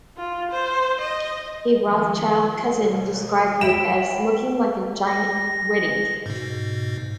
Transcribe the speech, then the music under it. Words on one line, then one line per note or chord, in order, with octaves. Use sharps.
A Rothschild cousin described it as: "looking like a giant wedding cake".
F4
C5
D#5
D#3 F3 G#3
D#2 B2 G3 G#3
E5 G5 B5 E7
A#6
G#2 B2